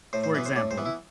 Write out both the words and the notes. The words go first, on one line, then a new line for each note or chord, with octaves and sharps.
for example,
A2 C5
C5
E3 B3 B4
C5
A2 D5
C5
E3 B3
E4